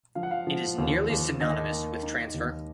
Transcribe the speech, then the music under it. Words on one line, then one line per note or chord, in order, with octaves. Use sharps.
It is nearly synonymous with transfer.
F3 F5
F#5
F5
F3
D#2
D#2
D#3 D#5
A#3
D#4
D#2